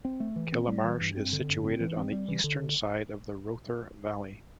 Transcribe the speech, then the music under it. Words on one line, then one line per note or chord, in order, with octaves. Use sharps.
Killamarsh is situated on the eastern side of the Rother Valley.
C4
A3
E3
C4
G3
E3
G2
C4
D3
G2
C4
E3
C4
G3
E3
D3